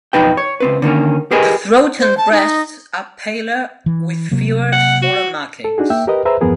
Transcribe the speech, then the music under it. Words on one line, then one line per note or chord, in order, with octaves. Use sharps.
The throat and breast are paler with fewer, smaller markings.
B1 F2 D#4 B4 G5
C#5
C#2 C4 B4
D3 D#3 A#3 C#4
G4 G#4 A#4 B4 D#5 G#5
C5
A5
D#4
E3
C3 F#3 A#3
F#5
F#4
A4
D4 D#4 F#4 G#4
A#3 E5 G5
G4 A#4 B4 D#5
G#4 B4 C5 E5 A#5
E2 G2 F3 B3 G#4 A#4